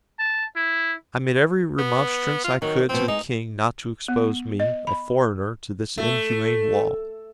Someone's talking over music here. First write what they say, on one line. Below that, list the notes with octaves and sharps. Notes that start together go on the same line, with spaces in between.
I made every remonstrance I could to the king not to expose me, a foreigner, to this inhuman law.
A5
E4
B3
F4
D#3 F#3
F2 B2 C4
G#3 D#4
B3
D#5
B5
A3